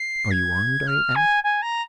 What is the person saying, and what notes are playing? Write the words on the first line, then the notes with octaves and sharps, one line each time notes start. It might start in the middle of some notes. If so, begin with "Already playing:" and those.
"Are you armed?" I asked.
Already playing: C7
G#6
F6
G#5
G#5
A#5